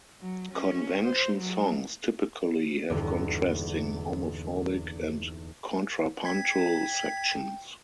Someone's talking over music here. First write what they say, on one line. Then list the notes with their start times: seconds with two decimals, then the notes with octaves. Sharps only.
Convention songs typically have contrasting homophonic and contrapuntal sections.
0.21 F#3
0.52 C#4
1.05 C5
1.39 F#3
2.90 D#1 E2 G2 D3
6.25 G5 G#6 B6